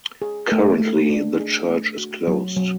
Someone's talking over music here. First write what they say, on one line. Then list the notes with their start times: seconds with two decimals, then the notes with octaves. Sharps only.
Currently the church is closed.
0.22 G#4
0.52 A3
0.80 A3
1.10 D4
1.40 G#4
1.69 A3
1.98 F#4
2.27 F#3
2.57 F#3